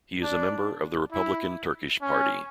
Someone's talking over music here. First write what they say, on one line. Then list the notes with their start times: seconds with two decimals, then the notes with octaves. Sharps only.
He is a member of the Republican Turkish Party.
0.23 D4
1.12 E4
2.02 C#4